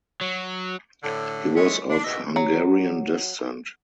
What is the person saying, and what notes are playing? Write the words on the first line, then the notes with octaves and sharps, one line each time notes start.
He was of Hungarian descent.
F#3
A2 D3
E3 G#3 A3 C#5
D4
G#2 B2 D#5 E5
F#3